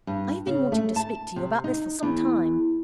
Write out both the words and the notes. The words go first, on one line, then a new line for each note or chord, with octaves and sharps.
I have been wanting to speak to you about this for some time.
G2
C#3
A3
A5
C3
D#4
E2